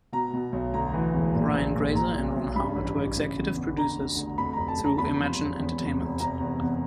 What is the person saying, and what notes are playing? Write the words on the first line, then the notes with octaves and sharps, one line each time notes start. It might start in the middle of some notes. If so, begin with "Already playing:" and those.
Brian Grazer and Ron Howard were executive producers through Imagine Entertainment.
B2 A#5
B2
B1
D2 A#5
E3
E1
A#2
A#1
A#1
A#2 A#5
B1
B1
G2 B5
A1
A1
C#3
E2
E2
D3 A#5
D2
D2
F2 B5
F1 A#5
A5
F1
A#5
E2 B5
F3
E1
E2
F1
F1
C3 A#5
E2
E2